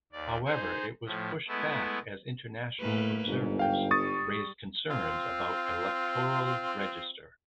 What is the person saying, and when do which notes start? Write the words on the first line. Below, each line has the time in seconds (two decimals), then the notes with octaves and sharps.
However it was pushed back as international observers raised concerns about electoral register.
0.12 D#2 D5
0.45 D#4 G#4 C5
1.06 A2 F3
1.48 G#3 A3 B3 E4
2.80 A2 A#3 B4
3.28 G1 G#2
3.59 F5 G5
3.91 G3 C#6 D#6 A6
4.90 C4 F4